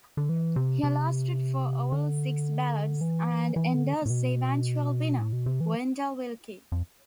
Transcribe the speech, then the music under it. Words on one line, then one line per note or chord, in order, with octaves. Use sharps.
He lasted for all six ballots, and endorsed the eventual winner, Wendell Willkie.
D3
E3
C3
C3
D3
E3
E3
D3
A2
B2
A2
B2
C3
E3
F2